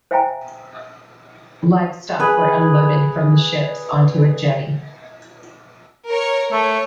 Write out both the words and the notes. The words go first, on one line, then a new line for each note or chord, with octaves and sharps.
Livestock were unloaded from the ships onto a jetty.
C5 E5 F5 G5 G#5 A#5
G#4 B4
A#4 C#5
A3 C#5